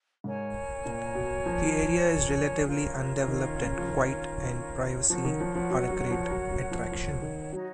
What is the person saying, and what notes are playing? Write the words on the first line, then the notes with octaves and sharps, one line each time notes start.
The area is relatively undeveloped and quiet and privacy are a great attraction.
G#2 A#4 C#5 G#5
A#2
B2
F3
C#4 F4 A#4 C#5
D#3
C#3
F3
D#3
F3 F#4 A#4 C#5 F#5
D#3
F3
F3
F#3
F#3
F#3
F3
F#3
F#3
F#3
F3
F3
D#3
F#3 D#4 F#4 C#5